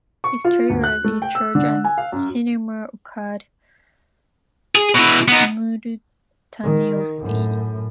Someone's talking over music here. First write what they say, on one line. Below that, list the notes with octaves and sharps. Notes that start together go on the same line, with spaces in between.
His careers in church and cinema occurred simultaneously.
C#6
F4
D2
F#6
A3
G5
E6
D3
G#5
F5
F#2
G#4
B2 E3
B3 D#4
D#3
F#2 A2